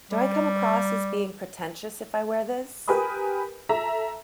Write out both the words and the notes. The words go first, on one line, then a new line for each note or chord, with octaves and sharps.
Do I come across as being pretentious if I wear this?
G3
G4 A#4 B4 G#5 B5 D#6
A4 E5 A#5